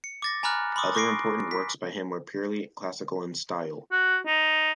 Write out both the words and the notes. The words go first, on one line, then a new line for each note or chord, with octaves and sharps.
Other important works by him were purely classical in style.
C#7
D6 A6 A#6
G#5 A#5 B5 D6 F6 F#6
B5 C6 D6 D#6
C#6 D6 A#6 C7 D7
B6
F#4
D#4